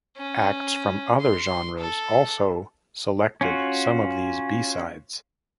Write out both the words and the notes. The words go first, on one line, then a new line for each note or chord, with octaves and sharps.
Acts from other genres also selected some of these B-sides.
C#4
C6
A4
C#4 F4 F#4